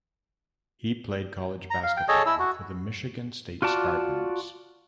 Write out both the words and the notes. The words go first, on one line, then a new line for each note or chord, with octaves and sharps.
He played college basketball for the Michigan State Spartans.
A#5
F5
G5
G#4 A4 C#5 D#5
E4 E6
F#4
F4 F#4 D5 A5